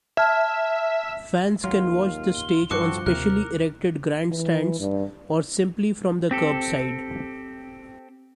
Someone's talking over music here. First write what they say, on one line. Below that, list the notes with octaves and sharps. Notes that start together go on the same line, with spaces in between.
Fans can watch the stage on specially erected grandstands or simply from the curbside.
E5 A5 F6 G#6
D#2 F#3 F4
G7
G2 F3 C4 F#4 A4 D6 F#6 C#7
D#2 C3 A#4 F#6
E3
G2
C4 G4 A4